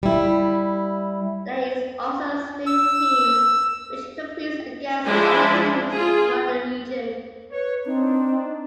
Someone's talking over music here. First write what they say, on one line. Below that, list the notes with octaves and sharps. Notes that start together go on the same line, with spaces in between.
There is also a swim team which competes against other teams throughout the region.
G3 E4
E6
F3 G#3 D4 E4
F4 G#4
B4 C#5
C4 D4 D#4